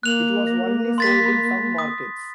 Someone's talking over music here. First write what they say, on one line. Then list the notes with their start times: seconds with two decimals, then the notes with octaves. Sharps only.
It was only sold in some markets.
0.03 A#3 F#6 F7 F#7
0.47 A#6
0.98 C6 A6 B6
1.26 B5
1.78 D#6